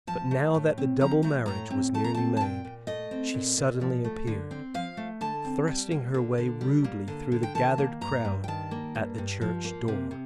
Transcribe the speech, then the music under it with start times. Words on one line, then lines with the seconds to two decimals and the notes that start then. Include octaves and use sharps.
But now that the double marriage was nearly made she suddenly appeared, thrusting her way rudely through the gathered crowd at the church door.
0.07 F3 A5
0.31 A3
0.54 A2
0.78 C4
1.01 F3 A#5
1.23 A3 A#5
1.46 A2 A#5
1.70 C4
1.94 A3 A5
2.04 A#5
2.14 C4 A5
2.37 A5
2.41 A#2 G5
2.65 A#2
2.87 A3 D#5
3.11 C4
3.34 A#2
3.57 A#2
3.81 F3
4.04 A3
4.27 D3
4.51 C4
4.74 F3 F5
4.97 A3
5.21 D3 A5
5.45 C4
5.68 G3
5.91 A#3
6.14 D3
6.38 D3
6.61 G3
6.84 A#3
7.08 D3
7.32 D3
7.43 G5
7.55 D#3 A5
7.78 A#3
8.01 G2 A#5
8.25 G2
8.44 G5
8.48 D#3 A5
8.71 A#3
8.95 G2
9.18 G2
9.41 F3
9.65 A#3
9.88 C3
10.11 C3